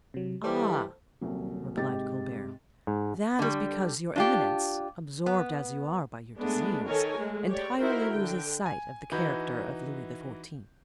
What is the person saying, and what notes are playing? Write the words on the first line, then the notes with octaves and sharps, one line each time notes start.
"Ah," replied Colbert, "that is because your eminence, absorbed as you are by your disease, entirely loses sight of the character of Louis XIV."
C3 F#3
E3 G3 G4 A4 C5
D#1 C2 F#3
G#2 C3 G4 A6
G#2
D3 G3
D4 F4 G4
B3
G#3 A3 B3 D4
D#3 A4 A#4 C#5 G#5
G#3 A3
G4 C#5 D5
D#4 E4 F#4 A#4 C5
D3 G5
G#5
E3 D#4 F#4 B5 G6